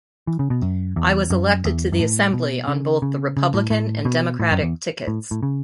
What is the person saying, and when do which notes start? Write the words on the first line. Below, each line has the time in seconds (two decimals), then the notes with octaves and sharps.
I was elected to the Assembly on both the Republican and Democratic tickets.
0.27 E3
0.39 C#3
0.50 B2
0.62 F#2
0.96 E2
1.30 F#2
1.65 E2
1.92 F#2
1.99 A2
2.33 B2
2.68 C#3
3.02 C#3
3.37 C#3
3.54 A2
3.70 A2
4.05 B2
4.40 A2
4.51 F#2
4.62 E2
5.07 A2
5.31 A2
5.43 C#3